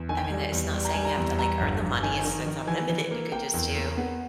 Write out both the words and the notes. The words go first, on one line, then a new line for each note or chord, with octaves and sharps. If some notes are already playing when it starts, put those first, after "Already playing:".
I mean, that it's not saying you have to, like, earn the money, it's it's unlimited you could just do
Already playing: E2
D#3 G#5
G5
G#5
G3
E2
G3
A#5
G3 G#5
A#5
E2
G3 A#5
G1
G1
D#3 G#5
D#3
D#3
E3 G#5
E3
A#3
A#3 G5
E2
A#3
B3